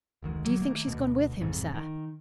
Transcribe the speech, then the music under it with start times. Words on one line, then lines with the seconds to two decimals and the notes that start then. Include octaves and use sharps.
"Do you think she's gone with him, sir?"
0.23 F1 D2 D#3 G#3
0.45 E1 B1 F#3 A#3
0.61 D#3 A3 A#3
0.88 D2 B2
1.41 A1 F2 G#2 C3
1.74 D#3